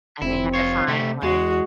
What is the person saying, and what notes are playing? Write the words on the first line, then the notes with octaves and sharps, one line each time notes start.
and they had to find, like,
F1 C4 E4
F4 C#5
C3 A3 G4
E2 G#3 F#4